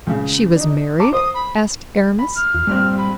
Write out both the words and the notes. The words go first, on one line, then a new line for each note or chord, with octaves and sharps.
"She was married?" asked Aramis.
C#2 C#3
D4 D#4
A5 A#5 C#6 D6
C5 D#6
B5
B5
F6
E2 F4
G2 A#2 G3 C4
B5